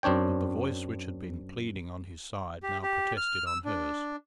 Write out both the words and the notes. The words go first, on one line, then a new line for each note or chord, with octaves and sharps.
But the voice which had been pleading on his side now protested on hers.
F#2 C4 D4 C#5 G5
G4
G4
F6
E6
D4